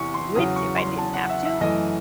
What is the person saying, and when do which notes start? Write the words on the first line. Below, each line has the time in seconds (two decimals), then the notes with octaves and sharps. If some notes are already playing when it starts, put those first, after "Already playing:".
do it if I didn't have to,
Already playing: E2 C3 E3 C#6
0.14 C6
0.35 E2 C#3 F#3 D#6
0.56 C#6
0.77 C6
0.98 A5
1.14 F#5
1.29 E5
1.45 E5
1.61 F#2 E3 A3 D#5